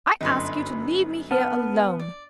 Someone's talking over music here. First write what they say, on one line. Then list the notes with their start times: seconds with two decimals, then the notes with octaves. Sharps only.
I ask you to leave me here alone.
0.21 G1 F#2 D#4 B4 C6
1.31 B3 F#5 A5 F6
1.99 D5